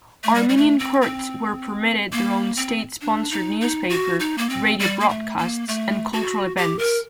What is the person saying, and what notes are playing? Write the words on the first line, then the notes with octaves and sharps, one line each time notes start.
Armenian Kurds were permitted their own state-sponsored newspaper, radio broadcasts and cultural events.
A3
G3
G3
A3
C4
C4
A#3
C4
D4
D#4
D#4
F#4
D#4
A#3
C4
G3
A#3
A3
A#3
A3
F#4
G4
A#4